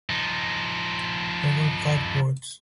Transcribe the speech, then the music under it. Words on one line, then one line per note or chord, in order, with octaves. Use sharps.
There were five wards.
F3 D#4